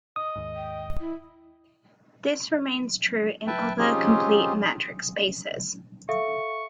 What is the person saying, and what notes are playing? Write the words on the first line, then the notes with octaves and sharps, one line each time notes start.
This remains true in other complete metric spaces.
D#5 D#6
D#2 G#2
G5
E4
B4 E5 G5 A5
C4 C#4 D#4 F4 G4 G#4
A4 E5 F5 C#6